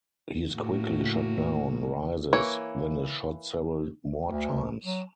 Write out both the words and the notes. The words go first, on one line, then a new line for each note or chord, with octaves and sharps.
He is quickly shot down, rises, then is shot several more times.
A2 A#3 F#4
E3 A#3 C#5
D2
F#3